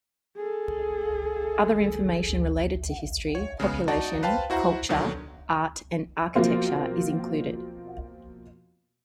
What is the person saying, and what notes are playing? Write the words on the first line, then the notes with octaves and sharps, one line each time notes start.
Other information related to history, population, culture, art and architecture is included.
G#4 A4
C#5
C#3 G#3 B3
D#4 F#4 D5 A5
B4 C5 F5 G5 A5
E4 F#4 C5 F#5 A#5
B2 D3 D#3 F#3
B2 F3 F#3 A#3 C4